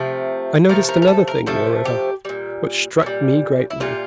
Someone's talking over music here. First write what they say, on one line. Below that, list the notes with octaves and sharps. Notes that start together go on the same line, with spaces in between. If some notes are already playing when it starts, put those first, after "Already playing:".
I noticed another thing, moreover, which struck me greatly.
Already playing: C3 F3 A3
C3 F3 A3 A#4
A#4
A#4
A4
A#4
C3 F3 A3 A4
G4
A#2 G3
A#2 G3
E4
A#2 G3 F4